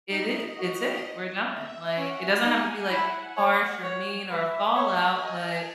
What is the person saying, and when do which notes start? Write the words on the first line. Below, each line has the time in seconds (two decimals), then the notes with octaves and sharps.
it it it's it, we're done, like, it doesn't have to be, like, harsh or mean, or a fallout, but
0.10 D#4 D#5
0.57 F#4 D#5
1.50 E5
1.97 C#4 F#5
2.43 D#4 G#5
2.90 E4 F#5
3.36 C#5 F#5
3.83 C#5
4.29 B4 E5
4.75 C#5 G#5
5.22 D#5 A5